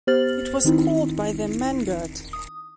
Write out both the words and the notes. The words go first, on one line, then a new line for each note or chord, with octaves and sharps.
It was called by them "mangurt".
B3 G4 C5 F6 A6 F#7
D#3 C4 D#4 E4
D#6